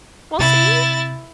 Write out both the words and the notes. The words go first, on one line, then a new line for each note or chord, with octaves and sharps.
Well, see?
C3 E4 A6